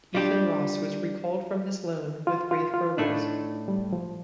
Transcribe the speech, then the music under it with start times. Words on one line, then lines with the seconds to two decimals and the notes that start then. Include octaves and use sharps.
Ethan Ross was recalled from his loan with Raith Rovers.
0.15 G3 D4 F4 G4
2.27 F4
2.51 F4
2.74 F4
2.97 A2 A3 D4 D#4
3.68 G3
3.93 F3